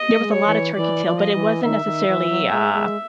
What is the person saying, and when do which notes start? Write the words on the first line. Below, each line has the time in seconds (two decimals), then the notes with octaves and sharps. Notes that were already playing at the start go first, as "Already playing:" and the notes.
there was a lotta turkey tail, but it wasn't necessarily, uh,
Already playing: D#5
0.17 G#3
0.32 C#5
0.47 E3
0.76 E3 D5
1.05 F3
1.20 D#5
1.35 E3
1.63 D#3 E5
1.85 D#3
2.08 E3
2.29 F#3
2.51 G#3
2.74 G#3